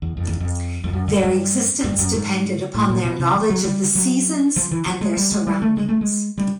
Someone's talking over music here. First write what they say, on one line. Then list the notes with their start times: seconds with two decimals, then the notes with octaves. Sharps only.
Their existence depended upon their knowledge of the seasons and their surroundings.
0.02 E2
0.17 F2
0.29 E2
0.40 F2
0.84 F2
0.93 F#2
1.08 G2
1.23 G2
1.84 G2
1.99 F#2
2.14 G#2
2.74 A2
2.90 A#2
3.05 B2
3.20 C3
3.35 F3
3.50 F#3
3.65 G3
3.95 F#3
4.56 F3
4.71 E3
4.86 F3
5.01 G#3
5.17 G3
5.32 G#3
5.47 G3
5.62 A3
5.77 G#3
5.89 A3
6.01 G#3
6.38 G3